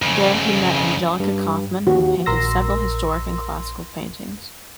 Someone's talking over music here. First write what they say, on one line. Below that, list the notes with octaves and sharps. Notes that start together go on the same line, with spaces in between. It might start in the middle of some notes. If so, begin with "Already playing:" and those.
There he met Angelica Kauffman, and painted several historic and classical paintings.
F2 C#3
G2
D#2 F#4
A#1 A#4 C6 E6 A#6